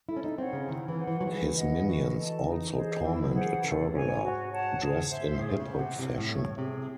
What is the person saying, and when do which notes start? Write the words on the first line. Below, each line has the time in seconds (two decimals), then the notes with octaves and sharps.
His minions also torment a traveler dressed in hip hop fashion.
0.09 E4 A4
0.16 C#4
0.24 D#4
0.38 C4 C#5 F#5 C6
0.53 C#3
0.68 D#3 E4
0.88 E3
0.97 C5 F#5 C6
1.07 E3
1.21 F#3
1.27 E3 G#4
1.56 D#5 F#5
1.86 F#4
2.15 A4 D#5 A5
2.45 D#4
2.74 G#4 C5 D#5
3.04 E3 E4
3.23 F#3
3.33 G#4 C5 F#5
3.43 E3
3.62 C#3 A4
3.82 C3
3.92 C#5 G#5
4.02 G#2
4.22 F#4
4.51 C#5 F#5 A5
4.81 G#4
5.10 C5 E5 C6
5.39 A2 G#4
5.60 C#3
5.69 C5 F#5
5.79 C3
5.98 C3 E4
6.18 A2
6.28 A4 C#5
6.38 A2
6.58 C3 G#4